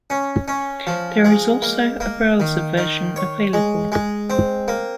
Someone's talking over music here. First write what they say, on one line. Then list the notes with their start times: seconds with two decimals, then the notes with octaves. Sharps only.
There is also a browser version available.
0.10 C#4
0.48 C#4
0.87 F3
1.25 G#3
1.62 A#3
2.00 A#3
2.40 D#3
2.78 D#3
3.16 C#5
3.53 G#3
3.92 G#3
4.30 C4
4.68 A#3